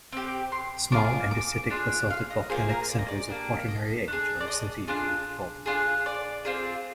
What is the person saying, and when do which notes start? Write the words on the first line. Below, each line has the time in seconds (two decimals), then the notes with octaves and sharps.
Small andesitic-basaltic volcanic centres of Quaternary age are associated with faulting.
0.12 C4 G4
0.52 C6
0.92 D4 F4 G#4 D6
1.31 D6
1.70 D4 F4 G#4
2.10 F5
2.30 D#5
2.50 A#3 F4 G#4 C5
2.69 A#4
2.89 D5
2.99 D#5
3.08 D5
3.29 A#3 D4 G4
3.68 D#5
4.08 D4 F4 G#4
4.41 D5
4.48 D#5
4.88 D4 F4 G#4
5.66 D4 F4 G#4
6.06 D5
6.45 C4 F4 G#4